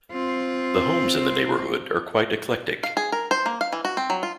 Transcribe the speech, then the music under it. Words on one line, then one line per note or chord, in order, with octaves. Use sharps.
The homes in the neighborhood are quite eclectic.
C4 F4
F5
G#4
A#4
C5
A#3
F5
E3
F#4
C4
F#3
F4